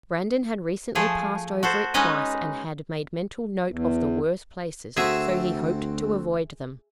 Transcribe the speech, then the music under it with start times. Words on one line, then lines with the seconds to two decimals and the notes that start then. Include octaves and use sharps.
Brandon had recently passed over it twice, and had made mental note of the worst places, so he hoped to avoid them.
0.95 F3 A3 G#4
1.63 F#4 A4 C5
1.94 G#3 C#4 D#4 B4 D#5
3.67 E2
4.97 D2 C4 F#4 G#4 A4 E5